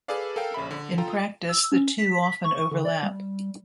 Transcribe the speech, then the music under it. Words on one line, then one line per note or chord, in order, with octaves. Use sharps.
In practice, the two often overlap.
G#4 A4 B4 D5 F5
A4 A#4 F5 G5
A#1 C#3 E5 B5
D3
F4 A4 G5 A#5
E6
C#4
B6
C#6
D3
D5
G3